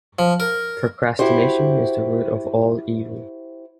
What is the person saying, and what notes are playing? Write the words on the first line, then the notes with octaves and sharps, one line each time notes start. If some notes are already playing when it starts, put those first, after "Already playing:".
Procrastination is the root of all evil.
F3
A#4
E4 F#4 G4 C5